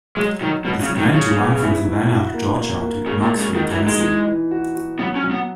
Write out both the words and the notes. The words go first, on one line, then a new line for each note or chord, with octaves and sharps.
It is planned to run from Savannah, Georgia, to Knoxville, Tennessee.
F#3 G#3
D#3 F#3
B2 F#3
C#3
F#3
D#3
C#3 F#3
B3
E4
E4
F#4
A#3
A#3
A#3
C#3 F#4
A#2
G#3
C#3
D#3 F#4
E3
D#4
G#3
E3
E3
F#4
F#4
F#3 B3
C#4
F#3
B3